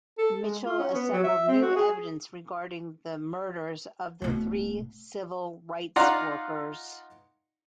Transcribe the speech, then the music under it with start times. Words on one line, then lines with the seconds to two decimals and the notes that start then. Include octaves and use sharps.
Mitchell assembled new evidence regarding the murders of the three civil rights workers.
0.18 A4
0.41 G#3
0.65 F4
0.79 C#4
0.94 B3
1.12 F#3
1.24 E5
1.48 C4
1.62 F#4
1.76 G#4
4.22 D1 B2
5.96 D#4 F4 D5 F#5 A#5 C6